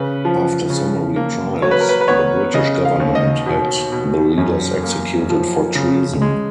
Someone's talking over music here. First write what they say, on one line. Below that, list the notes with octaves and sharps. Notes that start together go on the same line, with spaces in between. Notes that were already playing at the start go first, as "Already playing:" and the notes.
After summary trials, the British government had the leaders executed for treason.
Already playing: C#3 B4
F3
C#3
A#3
F#3 C#5
B4
A#4
B4
B4
B3 C#5
C#3 D#5
F5
D#2
D#5
B2
B2
F#2
A#3
F3
C#3
G#3